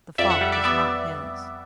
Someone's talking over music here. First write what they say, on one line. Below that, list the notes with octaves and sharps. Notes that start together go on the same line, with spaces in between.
The fault was not his.
F2 D5 E5
E5 F#5
G3
D5 E5
B3 D5 E5